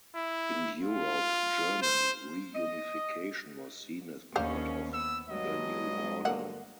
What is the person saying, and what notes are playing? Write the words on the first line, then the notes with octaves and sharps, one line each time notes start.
In Europe, German reunification was seen as part of the new order.
E4
F4
C5
D#5
D#2 D3 C#4 C5 F5
B3 E6
G2 F#3 G#3 D#5
D3 A#3 F#5